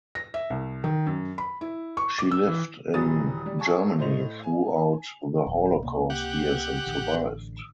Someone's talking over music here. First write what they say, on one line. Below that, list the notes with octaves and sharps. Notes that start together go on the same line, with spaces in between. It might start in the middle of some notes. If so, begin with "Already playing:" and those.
She lived in Germany throughout the Holocaust years and survived.
A#6
E5
C2
D#3
F#2
B5
E4
C#6
D6
E6
E3
D#1 E3 F#3 F#4 D#6 A6
G3
G#5 A5 C#6 G#6
A2 A3 E4 C5 D#5 F7
G#5
D#1 F#2
C#2 C3 A#3
G4 F#5
A1 D3